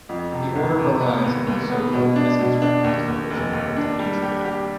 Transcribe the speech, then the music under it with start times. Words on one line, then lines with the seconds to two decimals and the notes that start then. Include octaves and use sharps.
The order relies on the so-called "business records" provision of the Patriot Act.
0.09 F2
0.32 C3
0.56 G1
0.79 C3
1.01 B3
1.24 D#2
1.47 D#2
1.70 B3
1.93 B2
2.16 D4
2.39 B2
2.62 D4
2.84 D#2
3.08 D#2
3.31 F1
3.53 D#2
3.76 D4
3.99 G3
4.22 G4
4.45 G4